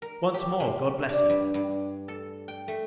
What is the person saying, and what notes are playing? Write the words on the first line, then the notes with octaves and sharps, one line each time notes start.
Once more, God bless you!
A#4
G4
C3
D4
G2
G2
A4
G5
A3